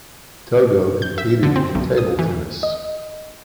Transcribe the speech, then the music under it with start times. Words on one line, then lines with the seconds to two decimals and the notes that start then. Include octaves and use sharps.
Togo competed in table tennis.
1.02 G6
1.18 E5
1.43 D3
1.56 C4
1.75 B1
1.98 D#6
2.19 E3
2.63 D#5